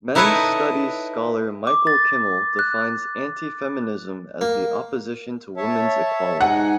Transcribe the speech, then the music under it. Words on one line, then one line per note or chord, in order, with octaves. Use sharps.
Men's studies scholar Michael Kimmel defines antifeminism as the opposition to women's equality.
D#4 E4 A4 B4 C#5 D#5
D6
A6
F#6
A#3
C#5 E5 A5
G#2 D#4 F#5 G#5